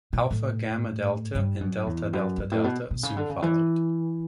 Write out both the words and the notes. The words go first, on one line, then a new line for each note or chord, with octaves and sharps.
Alpha Gamma Delta and Delta Delta Delta soon followed.
B2
A2
G2
F#2
E2
F#2
G2
A2
B2
B2
C#3
D3
C#3
E3